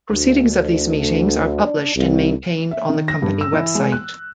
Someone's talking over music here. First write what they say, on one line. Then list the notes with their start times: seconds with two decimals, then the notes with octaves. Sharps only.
Proceedings of these meetings are published and maintained on the Company web site.
0.12 D2
1.64 D4
1.95 C2
2.71 E5
2.89 D#3
3.08 A#6
3.22 G2
3.41 E6
3.53 E3
3.75 G#3
3.92 F#6